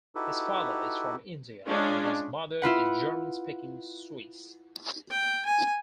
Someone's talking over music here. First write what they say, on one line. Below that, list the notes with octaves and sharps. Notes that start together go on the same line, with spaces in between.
His father is from India and his mother is German-speaking Swiss.
D#4 E4 F#4 G4 A4 B4
G#3 C#4 D4 F4
E4 F4 B4 F#5
G5
G#5